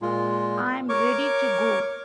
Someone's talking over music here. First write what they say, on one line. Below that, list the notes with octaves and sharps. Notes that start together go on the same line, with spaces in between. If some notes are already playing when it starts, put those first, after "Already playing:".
I'm ready to go.
A#2 G#3 F4
A#4 C#5 C#6 D6